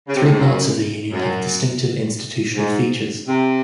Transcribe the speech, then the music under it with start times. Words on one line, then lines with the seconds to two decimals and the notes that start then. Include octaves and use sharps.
Three parts of the union have distinctive institutional features.
0.07 C#3
0.15 C3
0.22 A2
0.31 G#2
0.38 F#2
1.11 F#2
2.56 G#2
3.28 C3